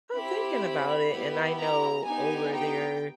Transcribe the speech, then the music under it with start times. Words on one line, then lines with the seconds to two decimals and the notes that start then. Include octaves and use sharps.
I'm thinking about it, and I know over there
0.14 C4 E4 G4 B5
1.10 B3 E4 G4
1.57 A#5
2.05 B3 D#4 G4 G#5
2.53 G5